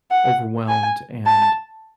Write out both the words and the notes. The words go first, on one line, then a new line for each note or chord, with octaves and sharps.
overwhelmed and
F#5
G#5
A5